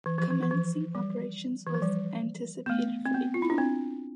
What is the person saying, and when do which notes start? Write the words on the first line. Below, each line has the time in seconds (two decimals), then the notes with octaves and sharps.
Commencing operations was anticipated for April.
0.06 E3
0.18 F3
0.31 E3
0.43 E3
0.51 F3
0.95 G3
1.67 E3
1.74 F3
1.82 G3
2.66 B3
2.70 A3
3.06 C4
3.14 B3
3.34 F4
3.42 E4
3.50 D4
3.58 C4